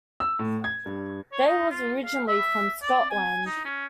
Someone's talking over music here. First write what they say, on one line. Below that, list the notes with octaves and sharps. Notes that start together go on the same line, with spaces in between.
Dave was originally from Scotland.
E6
A2
G#6
G2
C#5
D#4
F4
F5
E5
D5
G#5
D#4
C#4